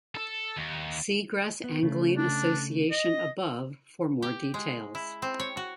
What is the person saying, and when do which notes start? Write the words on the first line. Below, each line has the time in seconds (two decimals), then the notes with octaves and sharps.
See Gress Angling Association above for more details.
0.15 A4
0.57 D#2
1.64 B3
1.83 C#3 A3
2.16 D4
2.91 D#5
4.22 G4
4.54 G#3
4.95 E4
5.22 C4
5.39 C#5
5.57 F#4